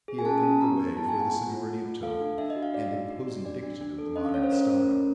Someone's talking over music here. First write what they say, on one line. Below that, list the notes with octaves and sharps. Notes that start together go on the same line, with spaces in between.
He opened the way for the sonority of tone and imposing diction of the modern style.
G#4
G#5
C#4 A5
C#4
B3 A#5
B3
E4 A5
G#5
B3
F#5
F4
F4
F4
A3
A4 F5
D4
D4 E5
D#5
F#4
F5
F#4 D5
D#4
F#4
F#4
D4 D5
D4
D4
A4
C#4 D#5
F5
C#4 C#5
C5
C#4 A#4
C#4
A3